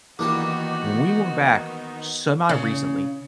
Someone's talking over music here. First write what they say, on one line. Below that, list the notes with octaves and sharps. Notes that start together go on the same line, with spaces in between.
When we went back semi-recently,
D#3 E3 A#3 B3 D4 D#4 F#4 G4
C#3